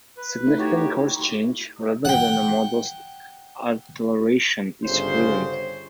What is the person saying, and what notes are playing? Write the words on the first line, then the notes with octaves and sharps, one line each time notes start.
Significant course change, rather than a modest alteration, is prudent.
B4
A3 D#4 E4
F#4 G4 C#5
G4
F#5 G5
G1 C#3 C5